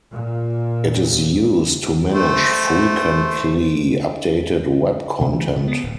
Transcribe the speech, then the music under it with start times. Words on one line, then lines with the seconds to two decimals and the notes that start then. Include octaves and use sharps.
It is used to manage frequently-updated Web content.
0.11 A#2
2.11 A3 C5
5.21 C3
5.33 E3
5.56 C#3
5.68 B3
5.83 D1